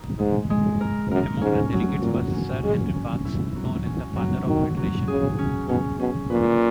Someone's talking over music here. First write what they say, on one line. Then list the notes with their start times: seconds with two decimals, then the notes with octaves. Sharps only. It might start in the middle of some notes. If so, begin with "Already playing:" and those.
Among the delegates was Sir Henry Parkes, known as the "Father of Federation".
Already playing: D#4
0.19 G#2 G#3
0.50 G#3
0.81 A#4
1.11 F#2 A#4
1.42 G#2 C#4
1.72 F#3
2.02 A#2 F#3
2.33 C#4
2.64 G#3 C#4
2.94 C#4
3.25 E4
3.55 F#3
3.86 C#4
4.16 F#3
4.47 D#3 F#3
4.77 F#3
5.08 C#3 G#4
5.38 C#4
5.68 B2 C#4
5.99 B2 C#4
6.30 A#2 B4